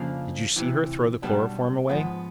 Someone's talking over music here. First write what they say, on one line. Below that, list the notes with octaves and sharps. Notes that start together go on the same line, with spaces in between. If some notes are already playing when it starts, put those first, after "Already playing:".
"Did you see her throw the chloroform away?"
Already playing: F2 C#3 F3 A#3 D4
D2 C3 E3
B1 B2 G3 B3 D4
G#2 F3 G#3 B3